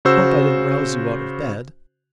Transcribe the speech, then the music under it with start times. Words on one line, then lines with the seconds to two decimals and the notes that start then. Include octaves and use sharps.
"Hope I didn't rouse you out of bed."
0.05 C#3 F#4 C5 E6